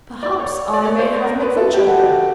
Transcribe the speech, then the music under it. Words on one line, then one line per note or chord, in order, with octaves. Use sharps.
Perhaps I may have an adventure here.
D5
C#5
D5
C#5
C5
A#4
B4
A4
G4
F#4
G4